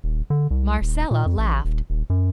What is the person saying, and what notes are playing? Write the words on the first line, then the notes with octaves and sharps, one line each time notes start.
Marcella laughed.
D#1
D3
C2
D#1
A#2
F2
A1
D#1
D#1
F#2